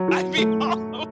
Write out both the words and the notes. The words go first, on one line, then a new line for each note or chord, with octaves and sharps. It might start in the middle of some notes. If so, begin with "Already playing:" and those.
I'd be all over
Already playing: F#3
F#4
A3